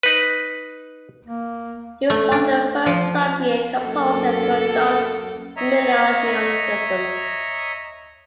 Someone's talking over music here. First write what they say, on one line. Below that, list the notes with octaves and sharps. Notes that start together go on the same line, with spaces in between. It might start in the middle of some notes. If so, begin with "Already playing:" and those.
He was one of the first Soviet composers to adopt minimalism.
D#4 B4
A#3
A3
D4
F3
F#2 A#3 A4
C#5 D#5 E5 A#5